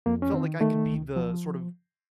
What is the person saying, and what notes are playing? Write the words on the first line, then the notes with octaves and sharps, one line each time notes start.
felt like I could be the, sort of,
F2 A#3
C#4
D#3 C4
D#3 A3
C#2
F3